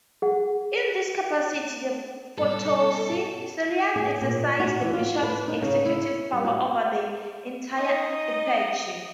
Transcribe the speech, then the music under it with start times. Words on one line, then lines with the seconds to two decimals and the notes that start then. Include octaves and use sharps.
In this capacity the "protosyncellus" exercises the bishop's executive power over the entire eparchy.
0.22 G#4 F#5
2.38 G2 B2 A4
3.96 G#4
4.21 A#2
4.60 F#4
4.81 E3
4.93 F4
5.23 B4
5.48 D#4
5.62 C#3
5.85 E4
6.33 G3
6.45 F#4
7.77 D#4 D#5